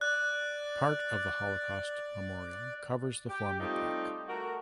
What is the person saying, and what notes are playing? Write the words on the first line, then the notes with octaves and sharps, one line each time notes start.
Part of the Holocaust Memorial covers the former park.
D5 F#6
G4
G3 A3 C4 D#4 F4 G4
A3 F#4 A#4